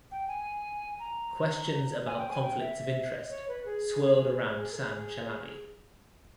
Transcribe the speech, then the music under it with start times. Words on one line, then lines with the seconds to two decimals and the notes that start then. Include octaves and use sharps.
Questions about conflicts of interest swirled around Sam Chalabi.
0.12 G5
0.28 G#5
0.99 A#5
2.06 G#5
2.17 G5
2.30 G#5
2.42 G5
2.60 E5
3.12 D#5
3.30 C#5
3.48 B4
3.66 G#4
4.55 G#4
4.72 A#4
4.76 G#4